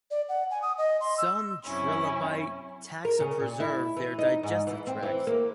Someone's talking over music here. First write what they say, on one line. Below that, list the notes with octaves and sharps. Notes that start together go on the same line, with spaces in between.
Some trilobite taxa preserve their digestive tracts.
D5
F#5
G#5
D#6
D#5
C6
E6
F#2 C3 C#4 E4 G#5
A#4
C#3
A#2
E4
E3
D#4
G#2
E3
C4
E3
A#3